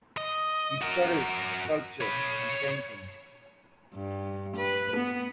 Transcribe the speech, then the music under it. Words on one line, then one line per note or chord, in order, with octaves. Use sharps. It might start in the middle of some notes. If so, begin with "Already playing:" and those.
He studied sculpture and painting.
D#5
F#4 A#4
C#5 B5
G2
B4
B3